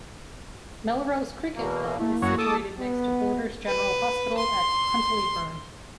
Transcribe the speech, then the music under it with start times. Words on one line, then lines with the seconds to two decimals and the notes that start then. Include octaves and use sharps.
Melrose Cricket Club is situated next to Borders General Hospital at Huntlyburn.
1.55 E2 B2 A#3
1.98 A3 A#3 E4
2.22 F#2 F#4 C#5 F#5
2.38 A4 A5 D6 D#6
2.79 B3
3.66 B4
4.38 C6